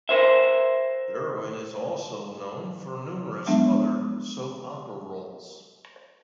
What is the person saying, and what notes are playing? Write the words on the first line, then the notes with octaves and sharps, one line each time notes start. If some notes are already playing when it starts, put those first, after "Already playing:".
Derwin is also known for numerous other soap opera roles.
A#4 C5 E5
F3 F#3 G#3 B3 D4 E5